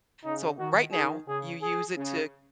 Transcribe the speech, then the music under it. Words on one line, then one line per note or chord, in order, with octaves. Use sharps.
so right now you use it to"
C#3 D#4
D#3 F#4
D#3 G#4
C#3 G#4
G#4
C#3